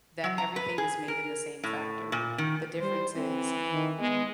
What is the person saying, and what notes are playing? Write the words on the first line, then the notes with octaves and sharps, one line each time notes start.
that everything is made in the same factory. The difference is,
F#3
A#5
B4
G#4
A#4
A2
A#2
D#3
G3 C5
E3 C4
D#3
G#3 B3